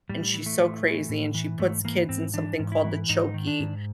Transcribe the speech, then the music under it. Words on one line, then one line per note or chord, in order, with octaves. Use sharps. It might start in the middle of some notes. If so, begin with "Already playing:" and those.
and she's so crazy, and she puts kids in something called the "Chokey,"
A2 G3
E3
A3
A2
E3
A2
E3
G#2 A3
E3 A#3
G#2 C4
E3 D4
G#2
E4
E3
G#2 D#4
D#3
D4
G#2